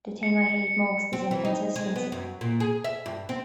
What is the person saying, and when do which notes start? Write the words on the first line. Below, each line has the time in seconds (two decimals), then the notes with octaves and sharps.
The thing I hate most is inconsistency.
0.23 C#7
1.13 C4
1.31 E3
1.45 D#4
1.76 G#3
1.96 B3
2.12 F#2
2.41 A#2
2.60 G#4
2.84 E5
3.06 G2
3.29 C4